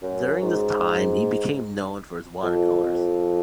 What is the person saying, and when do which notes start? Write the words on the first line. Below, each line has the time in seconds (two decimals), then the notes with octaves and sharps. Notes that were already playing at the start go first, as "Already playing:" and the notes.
During this time he became known for his water colours.
0.03 F#2
0.42 G#2
2.43 F2
2.84 F2